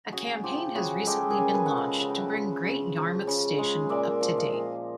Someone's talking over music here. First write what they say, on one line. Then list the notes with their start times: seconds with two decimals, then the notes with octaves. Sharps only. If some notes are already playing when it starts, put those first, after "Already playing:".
A campaign has recently been launched to bring Great Yarmouth Station up-to-date.
0.12 C#3 F#4 G#4
0.44 F3 F4 G4
0.75 C#3 F#4 G#4
1.06 G#3 G4 A4
1.30 G#4 A#4
1.38 C#3
1.54 A4 B4
1.66 F3 F#5
1.77 D#5 F5
2.01 C#3 F#5
2.10 G5
2.18 E5 F#5
2.33 G#3
2.64 C#3
2.96 F3
3.27 C#3
3.58 G#3
3.89 A#2 D5 E5
4.21 F3
4.38 D#5 F5
4.53 A#2